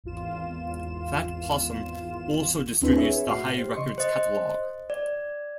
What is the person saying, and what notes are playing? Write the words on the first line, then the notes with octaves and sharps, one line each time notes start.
Fat Possum also distributes the Hi Records catalog.
G#1 E2 F4 E7
D#2 C4 D4 E4 B4
G#4 B4 C#5 E5
A2 F#4 F6 C7
G4 C5
C#3 D#5 C6 C#6
C5 D#5
D5